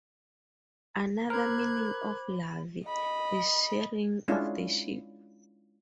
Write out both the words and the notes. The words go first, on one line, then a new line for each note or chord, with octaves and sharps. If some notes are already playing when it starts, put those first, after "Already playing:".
Another meaning of Lavi is ""Shearing of the Sheep"".
A#4 C5 B5 D6 F#6 G#6
D#5 B5
G#3 C#4 D4 E4 F4